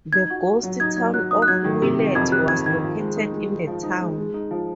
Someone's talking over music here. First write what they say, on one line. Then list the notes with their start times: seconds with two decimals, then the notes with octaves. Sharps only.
The ghost town of Willet was located in the town.
0.13 D#4 G#6
0.30 F#4
0.47 F#4
0.63 F#3
0.80 D#4 G#6
0.97 F#3 G#6
1.14 F#3 F#6
1.31 D#4 D#6
1.42 F#6
1.48 F#3 G#6
1.64 D#3
1.82 C3
1.99 D#3
2.15 F2 G#6
2.32 C3 F#6
2.48 D#3 G#6
2.66 D#3 G#6
2.83 F3
3.00 G#3
3.16 D#4
3.33 G#3
3.49 G#3
3.67 F3
3.83 D#4
4.01 G#3
4.17 G#3
4.34 D#4
4.51 F3